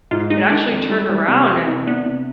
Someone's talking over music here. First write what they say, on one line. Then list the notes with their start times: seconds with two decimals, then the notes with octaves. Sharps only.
it actually turned around and
0.11 G#2 F4
0.30 G#3 D#4
0.50 D#3 D4
0.70 F2
0.90 G3
1.09 G3
1.28 C3
1.47 F2 C4
1.68 C3
1.86 B3 D4
2.06 C3